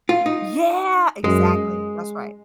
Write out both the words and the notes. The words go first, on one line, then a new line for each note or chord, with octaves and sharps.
Yeah, exactly that's right.
F4
D#4
F#2 G#3